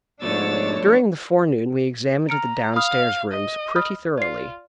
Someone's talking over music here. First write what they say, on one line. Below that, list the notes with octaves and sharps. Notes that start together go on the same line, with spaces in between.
During the forenoon we examined the downstairs rooms pretty thoroughly.
G#2 B2 F3 A3 D4 C#5 E6 A6
A#5 F6 C#7 D7
F5 B5 D#6 F6
D#5
B5 D#6 F6
F4 D5 C7